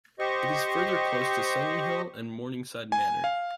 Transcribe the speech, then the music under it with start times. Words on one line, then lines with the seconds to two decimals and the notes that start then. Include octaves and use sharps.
It is further close to Sunninghill and Morningside Manor.
0.19 G4 C5 D#5 C#6
2.92 G#5
3.24 F5